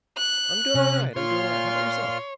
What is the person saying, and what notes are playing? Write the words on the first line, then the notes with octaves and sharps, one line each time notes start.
I'm doing alright, I'm doing alright, how 'bout yourself?
F#6
C3 C#4
A#2 F4 C#5 C6 F6